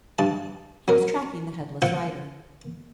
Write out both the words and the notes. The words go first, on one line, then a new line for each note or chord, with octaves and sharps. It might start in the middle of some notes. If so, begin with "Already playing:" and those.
He was tracking the headless rider.
G2 A5
F#3 A#4
C4 F4 F#5 G5